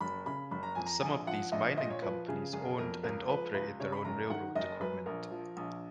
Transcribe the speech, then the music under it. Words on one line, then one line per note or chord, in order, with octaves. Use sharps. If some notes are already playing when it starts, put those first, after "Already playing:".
Some of these mining companies owned and operated their own railroad equipment.
F#1 B5
C#3 B5
F#1 B5
A#5
F2 G#5
A#5
A#1 G#5
F3 F#5
A#1 D#5
A#2 D#5
C#5
F3 B4
C#3 G#4
F#1 G#4
F2 A#4
C#2 A#4
F3 B4
C#2 B4
C#3 C#5
B5
F#1 A#5
D#3 F#5
F#1 D#5
F#2 B4
A#1 A#4
F3
A#1